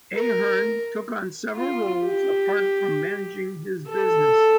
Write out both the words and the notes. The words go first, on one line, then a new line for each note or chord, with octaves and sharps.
Ahern took on several roles apart from managing his business.
A#4
F4
G4
A4